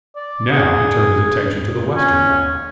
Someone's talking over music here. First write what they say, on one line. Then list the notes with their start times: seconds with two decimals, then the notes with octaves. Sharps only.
Now he turned his attention to the western dial.
0.16 D5
0.51 G#4
1.96 C#4